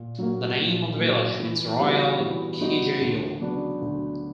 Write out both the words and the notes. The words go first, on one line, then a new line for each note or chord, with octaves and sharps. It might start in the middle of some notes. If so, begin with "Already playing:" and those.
The name of the village means "Royal Kijewo".
Already playing: A#2
F#3 A#3
A#2
F#3 A#3
E3
G3 B3 D#4 F#4
E3
G3 B3 D#4 F#4
D2
C#3 F#3 B3 D4
D2